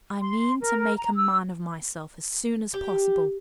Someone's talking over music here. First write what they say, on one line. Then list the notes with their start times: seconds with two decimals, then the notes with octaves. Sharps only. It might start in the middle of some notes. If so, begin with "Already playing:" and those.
"I mean to make a man of myself as soon as possible."
0.22 C6
0.61 A#4
0.97 A#5
1.16 E6
2.74 G4